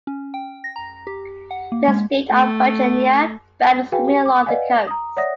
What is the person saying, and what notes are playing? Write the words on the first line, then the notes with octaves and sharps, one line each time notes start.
The State of Virginia banned swimming along the coast.
C#4
G5
A#6
A#5
G4
F#5
A#3
G#3
A3
F#4 G#4 B4 F5 G5 G#5
G4
D6
B4 D5 D#5 F5 F#5 G#5
A#5 D#6
C#5 D5 E5 F#5 D#6 A#6